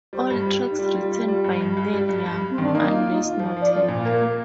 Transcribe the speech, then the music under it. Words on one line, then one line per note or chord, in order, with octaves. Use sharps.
All tracks written by Neil Young, unless noted.
G3 C5
G2
G3
G3
D#4
G3 F4
G3
G3
G3
G2
G2
G2
G3
G2
G2
G2
C4
D#3 D4
A#3 D#4
F4
D#4 F4
F4
F3 C5
F3 D5
F4
C5
A#2
A#3 A#4
A#3